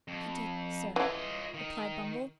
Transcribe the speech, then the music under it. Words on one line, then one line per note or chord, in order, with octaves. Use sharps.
'He did, sir,' replied Bumble.
F2
E3 F4 D#5
D#3